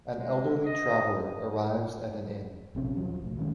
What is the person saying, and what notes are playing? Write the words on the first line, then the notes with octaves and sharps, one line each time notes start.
An elderly traveler arrives at an inn.
G#3
D#5 D#6
A#1 C3 C#4
D#1 F3 F#3
B1 A2
A2 D#3 G#3 C#4